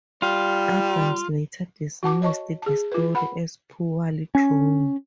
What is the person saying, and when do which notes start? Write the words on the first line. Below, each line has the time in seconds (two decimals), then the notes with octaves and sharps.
Adams later dismissed the story as poorly drawn.
0.22 G3 F4
2.03 F#4 F#5 A5 D6
2.22 C#5 D#5 A5 C#6
2.62 G#4 A5
2.92 F4 B4
3.15 F#5 B5
4.35 C#4